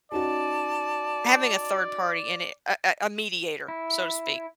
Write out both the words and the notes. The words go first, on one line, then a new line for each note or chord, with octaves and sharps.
having a third party in it a a, a mediator, so to speak,
C#4 D#4 F#4 D5 A5
E4